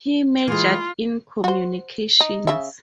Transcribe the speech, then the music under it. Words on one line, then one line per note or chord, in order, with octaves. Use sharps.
He majored in communications.
E3 G#3 F4
F#4 C5
D#4
C#3 E5